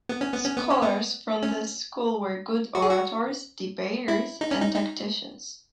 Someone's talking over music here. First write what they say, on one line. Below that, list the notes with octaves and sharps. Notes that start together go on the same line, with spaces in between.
Scholars from this school were good orators, debaters and tacticians.
B3
C#4
B3
C#4
B3
C#4
B3
C#4
F#4
G#4
F#4
E4
D#4
C#4
D#4
D#4